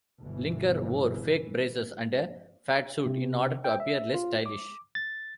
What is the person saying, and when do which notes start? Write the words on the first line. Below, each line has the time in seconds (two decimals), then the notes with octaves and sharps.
Linker wore fake braces and a fatsuit in order to appear less stylish.
0.21 G1 B2 E3
3.06 C3
3.64 G5
3.80 E5
4.14 F4
4.46 D6
4.95 A6